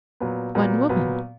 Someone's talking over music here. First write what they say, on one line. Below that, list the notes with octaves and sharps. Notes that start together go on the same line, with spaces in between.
One woman.
A#2 F#3 B3
A#2 F#3 B3
A#2 F#3 B3